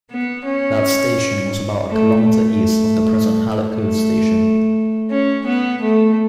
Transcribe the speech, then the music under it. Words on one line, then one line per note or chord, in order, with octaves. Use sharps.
That station was about a kilometre east of the present Hallett Cove station.
B3
C#4
A3
A3
A3
C#4
B3
A3